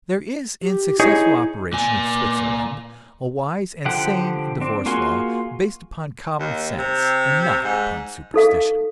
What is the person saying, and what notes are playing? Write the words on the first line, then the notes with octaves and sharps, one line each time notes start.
There is in successful operation in Switzerland a wise and sane divorce law, based upon common sense and not upon superstition.
G4
D#4 E4 G#4 C#5
A#2 G#5
D3 F3 G4 F#5 G5
C4 D4
A#3 F4 F#4 G#4 C6
D#2
C3
G#2
D#4 A4 F5